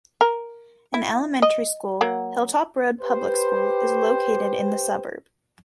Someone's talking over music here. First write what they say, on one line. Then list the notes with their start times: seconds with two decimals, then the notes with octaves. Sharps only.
An elementary school, Hilltop Road Public School, is located in the suburb.
0.21 A#4
0.94 E4
1.42 D#5
2.01 F#3 A#3 F#5
3.01 G4 B4 C5